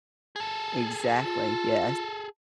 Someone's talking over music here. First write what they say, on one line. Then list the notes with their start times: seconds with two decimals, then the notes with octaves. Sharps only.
Exactly, yes.
0.36 G#4 A4
1.24 F4